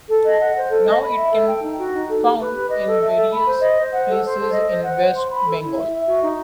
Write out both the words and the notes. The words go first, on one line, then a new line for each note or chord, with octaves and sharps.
Now it can found in various places in West Bengal.
A4
D#5
F#5
C5
A4
D#5
B5
E5
A4
G5
D#4
F#4
D#4
A4
G4
B4
G4
D#5
A4
E5
A4
B5
C5
D#5
C5
F#5
A4
C5
A4
D#5
C5
F#5
C5
C6
B5
A4
E4
E5
E5
F#4
D#4